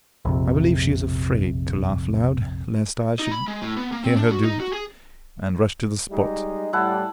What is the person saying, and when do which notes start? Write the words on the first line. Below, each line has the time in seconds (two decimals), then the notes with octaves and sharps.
I believe she is afraid to laugh loud, lest I should hear her do it, and rush to the spot.
0.25 A#1 F2 C3
3.19 D#4
3.32 B5
3.48 G#3
3.62 A2
3.77 B3
3.92 A#3
4.04 C4
4.16 D4
4.31 F#4
4.44 D#4
4.60 F#4
4.73 G#4
6.11 G3 G#3 D#4
6.73 A2 G3 E4 F#5 A5